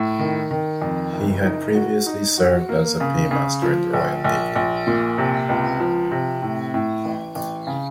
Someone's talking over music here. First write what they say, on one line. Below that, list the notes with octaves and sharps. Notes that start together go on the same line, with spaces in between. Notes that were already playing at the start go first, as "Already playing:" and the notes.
He had previously served as a paymaster in the Royal Navy.
Already playing: A2
D#3
D#3
F2
F#1
D#4
F#4
D#4
F#4
A#3
C#3
C#3
F3
A#1
A#1
A#1
A#2
C3
C#2
F3
C3
A2
A2
A1
A1
C#3